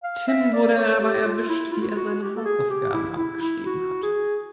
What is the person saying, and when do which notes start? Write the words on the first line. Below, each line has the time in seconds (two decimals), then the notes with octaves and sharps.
Tim wurde dabei erwischt, wie er seine Hausaufgaben abgeschrieben hat.
0.04 F5
0.28 E5
0.53 D5
0.76 C#5
1.01 G4
1.25 F4
1.49 E4
1.73 F4
1.82 F#4
1.89 F4
1.97 F#4
2.22 G4
2.36 A4
2.45 G#4
2.70 G4
2.94 E4
3.18 E4
3.42 E4
3.66 F#4
4.03 G#4